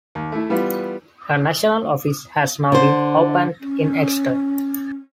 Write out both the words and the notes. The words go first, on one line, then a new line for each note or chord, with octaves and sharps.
A national office has now been opened in Exeter.
D#2
A3 E4
E3 G3 B3 F4
D3 C5
C#4